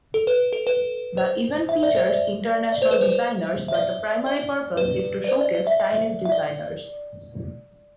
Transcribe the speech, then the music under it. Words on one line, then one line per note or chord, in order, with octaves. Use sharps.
The event features international designers but the primary purpose is to showcase Chinese designers.
A4
B4
A4
B4
C5
E5
D5
C5
D5
D5
C5
B4
C5
E5
D5
D5
B4
D5
C5
D5
D5
E5
E5
E5
D5